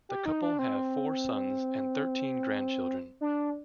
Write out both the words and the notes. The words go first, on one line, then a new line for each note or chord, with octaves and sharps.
The couple have four sons and thirteen grandchildren.
G4
D#4
D4
C4
D4